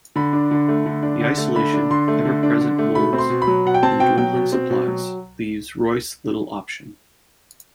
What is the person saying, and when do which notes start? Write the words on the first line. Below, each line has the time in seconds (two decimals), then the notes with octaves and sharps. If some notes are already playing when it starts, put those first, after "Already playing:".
The isolation, ever-present wolves and dwindling supplies leaves Royce little option.
0.16 D3 B5
0.33 D4
0.51 D3
0.68 A3
0.86 D3
1.03 D4
1.21 D3
1.38 A3
1.55 D3 B5
1.73 D4
1.91 D3 C6
2.08 A3
2.25 D3
2.43 D4
2.61 D3
2.78 A3
2.95 B2 B5
3.13 C4
3.18 C6
3.30 B2
3.42 B5
3.47 F#3
3.65 B2 F#5
3.74 G5
3.83 C4 A5
4.00 B2 G5
4.17 F#3 G5
4.35 B2
4.52 C4
4.70 B2
4.88 F#3